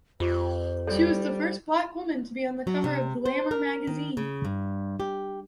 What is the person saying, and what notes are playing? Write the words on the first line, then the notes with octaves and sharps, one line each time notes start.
She was the first black woman to be on the cover of "Glamour" magazine.
F2 F4 G4 C5 D6
G3 A4 C#5 D5
F#3
C3
C5
A#4
D#3
C#3
G2
G4